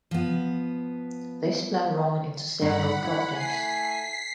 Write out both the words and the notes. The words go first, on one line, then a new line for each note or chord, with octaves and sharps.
This plan ran into several problems.
F3 B3
G2 D#3 D#4 F#5 B5
E4
A3 G#5 B6 C7